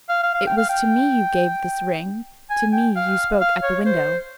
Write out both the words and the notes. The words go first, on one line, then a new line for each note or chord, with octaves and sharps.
"It was to me you gave this ring; to me you spoke at the window."
F5
F5
F5
G5
F5
G5
G#5
G5
F5
F5
C#5
C5